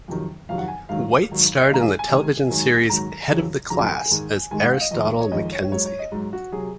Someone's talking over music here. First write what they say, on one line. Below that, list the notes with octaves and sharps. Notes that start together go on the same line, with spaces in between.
White starred in the television series "Head of the Class" as Aristotle McKenzie.
F2 C3 D#3 F#3
F2 C3 D#3 F#3 F5
F#5
G#5
G#2 D#3 F#3 F5
G#2 D#3 F#3
D#5
C3 D#3 G#3 F5 A#5
G#5
G#5
C3 D#3 G#3
G#2 D#3 F#3
G#2 D#3 F#3 A#5
F2 C#3 F#3
F2 C#3 F#3 A#5
G#5
F#5
G#5
G#2 D#3 G#3
G#2 D#3 G#3 G#5
F#5
F5
D#5
F2 D#3 G#3 D#5
C#5
F2 D#3 G#3 D#5
C#5
G#2 F#3 C#5
C#5
D#5
G#2 F#3
F#4
C3 F#3 G#4